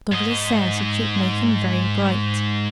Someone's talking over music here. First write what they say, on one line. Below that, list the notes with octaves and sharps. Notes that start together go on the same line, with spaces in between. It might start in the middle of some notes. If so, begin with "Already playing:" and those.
Douglas says it should make him very bright.
G#2 D#5